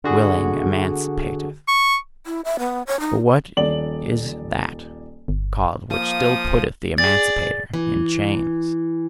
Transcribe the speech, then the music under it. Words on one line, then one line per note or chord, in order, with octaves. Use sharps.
Willing emancipateth: but what is that called which still putteth the emancipator in chains?
D3 F#4 G#4
C#6
E4
E5
B3
C#5
D#4
D#1 D5 F#7
G1
F3 A#3 D#6
G#4 D5 A6
E3